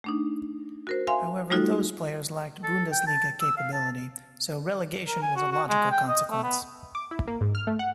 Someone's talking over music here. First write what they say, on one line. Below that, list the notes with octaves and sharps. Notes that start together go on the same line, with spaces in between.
However, those players lacked Bundesliga capability, so relegation was a logical consequence.
A3 D4 D#4
F#4 A#4 C5
E5 F5 G#5 C6
G3 A3 D#4 F4 F#4 A4
A4
G5
A5
E6
F5
A5
A#4
G#5
F#4
F#4
G#3
G5
D#5
A3
B3
D6
E4
A#3
G#2
F6
A3
F#5